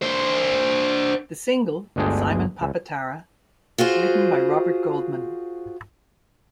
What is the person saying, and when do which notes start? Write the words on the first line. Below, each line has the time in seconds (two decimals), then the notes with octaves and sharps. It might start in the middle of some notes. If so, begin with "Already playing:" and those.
The single "Simon Papa Tara" written by Robert Goldman.
0.02 D4 C5
1.96 G1 D2 G#3 D4 G#4 G5
2.61 C#2
3.78 F4 F#4 G#4 C5